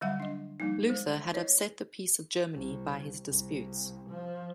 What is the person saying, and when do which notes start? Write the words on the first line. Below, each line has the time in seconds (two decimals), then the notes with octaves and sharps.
Luther had upset the peace of Germany by his disputes.
0.01 D3 F#3 G3 E5 F#5
0.20 D4 D#5
0.60 F3 G3 A#3 D#4
0.89 G#3 C5
1.32 E4 B4 C#5 D#5
2.54 C2
3.28 C2
4.10 F3